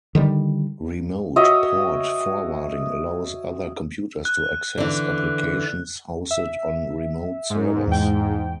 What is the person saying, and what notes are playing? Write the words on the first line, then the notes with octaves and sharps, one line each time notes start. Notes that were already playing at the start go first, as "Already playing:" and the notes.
Remote port forwarding allows other computers to access applications hosted on remote servers.
D3 D#3 G3
F#4 C#5 D#5 E5
F#6
D3 E3
E5
G#2
E2 G5